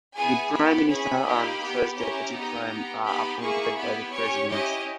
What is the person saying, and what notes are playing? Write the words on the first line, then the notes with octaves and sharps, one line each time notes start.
The prime minister and first deputy prime are appointed by the president.
B3 E4 G#4 G#5
B3 G4 B5
C#4 E4 G#4 B5
A#3 D#4 G4
B3 G4
C#4 E4 G4 A#5
B3 D#4 G4
B3 G4
B3 D#4 G4 B5
A#3 E4 G#4 C#6
B3 E4 G4 B5
C#4 G4 C#5
C#4 E4 G4 D#5